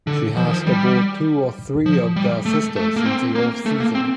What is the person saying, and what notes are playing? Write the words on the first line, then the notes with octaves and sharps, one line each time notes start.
She has to board two or three of her sisters in the off season.
D3
F3
D#3
F3
G3
F3
G3
A3
A3
A#3
C4
A#3
A3
A#3
C4